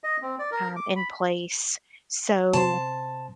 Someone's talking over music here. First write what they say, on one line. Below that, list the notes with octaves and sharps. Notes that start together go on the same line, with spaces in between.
um, in place. So,
D#5
C4
D5
A#4
D6
B5
C3 C5 A5 C6